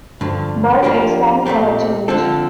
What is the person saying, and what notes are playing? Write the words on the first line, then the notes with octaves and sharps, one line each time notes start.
But it's time for a change.
G2 D3 F3
F3 A#3 D4 G4
A#2 A3 C4 G4
D3 F3 C4 F4 A4